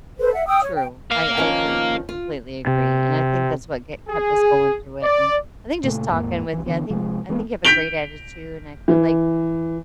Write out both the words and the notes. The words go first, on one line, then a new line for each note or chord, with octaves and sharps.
True. I I agree, I completely agree. And I think that's what get kept us going through it, and I think just talking with you, I think I think you have a great attitude, and I feel like
A4 B4 C5
E5 F#5
G5 D#6 E6
C#5
G5
A#4 F5
D#3 F3 C#4
F4
C3
G#4
D5
A#2 C#3 G#3 A3
D#2 G#2 A3 A#3
B1 E3
D3 E3 B3
C3 F3 G#3
E3 G#3 A#3 B3
G6 B6 D7 F7 G7
E3